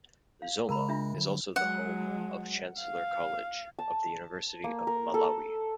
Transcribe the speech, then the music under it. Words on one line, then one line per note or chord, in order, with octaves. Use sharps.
Zomba is also the home of Chancellor College of the University of Malawi.
F5
C#3 G#3 A#4 A#5 B5
D4 F4 E5
D3 F#3
F#3 G#3 F#5
F5
A5
A#3
A#4
A4